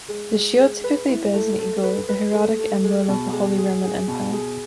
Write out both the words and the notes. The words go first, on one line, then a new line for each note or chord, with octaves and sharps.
The shield typically bears an eagle, the heraldic emblem of the Holy Roman Empire.
G#3
G#3
G#3
B4
E4
A3
A3
B4
B4
A3
A3
G#3
B2
G#3
G#4
G#4
B2
G#4